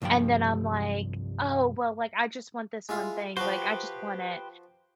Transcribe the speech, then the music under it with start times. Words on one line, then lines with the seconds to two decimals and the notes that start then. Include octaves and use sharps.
and then I'm like, "Oh well, like, I just want this one thing, like, I just want it,"
0.02 C2 G2 F3 G3 G5
2.89 G#3 E4 F4
3.37 F3 F#4 G4 B4 C5